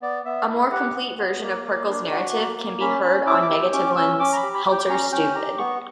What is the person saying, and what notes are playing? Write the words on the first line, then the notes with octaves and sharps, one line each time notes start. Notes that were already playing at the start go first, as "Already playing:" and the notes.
A more complete version of Pirkle's narrative can be heard on Negativland's "Helter Stupid".
B3 D5
B3 E5
E4
G4 F#5
B3
B3
A#3
A#3
D4
F#4
A#3
A#3
C#4 B5
C#4 B5
E4 D6
E6
D6
G4 E6
C#4 D6
C#4 E6
C#4 D6
A#5
B5
G4
B5
G4
G5
C#4 A#5
C#4 G5
G4 A#5
B3 C#6